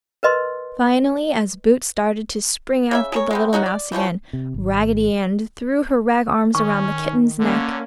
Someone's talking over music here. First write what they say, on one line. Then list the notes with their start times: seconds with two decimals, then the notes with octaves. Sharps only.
Finally as Boots started to spring after the little mouse again, Raggedy Ann threw her rag arms around the kitten's neck.
0.23 A#4 B4 D#5 C6
2.91 C#3 E4 E5
3.12 G#4 A#4 C#5
3.31 G#3 B3 C4
3.53 G#3 C#4 D#4 F#4
3.66 D5
3.92 E3 F3 A3 C#4
4.33 C3
4.54 G#1
6.55 D#3 C#4 C#6
7.40 D3 A#3 C#4